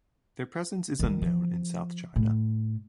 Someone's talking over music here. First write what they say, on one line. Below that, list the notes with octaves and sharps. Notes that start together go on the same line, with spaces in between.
Their presence is unknown in South China.
D#3 G3
F3
A2